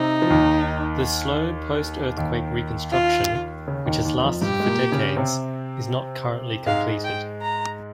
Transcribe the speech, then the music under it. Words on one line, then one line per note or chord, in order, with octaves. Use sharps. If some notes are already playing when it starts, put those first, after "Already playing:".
The slow post-earthquake reconstruction, which has lasted for decades, is not currently completed.
Already playing: C3 C4 D#4
F3
D#2 D#3
D#2 D#3
F4
C#3
D#2 D#3
D#2 D#3
F2 F3
G2 G3 G4
G#3
A#2 A#3
C#3 C#4
C3 C4
G#2 G#3 F5
G5
A#5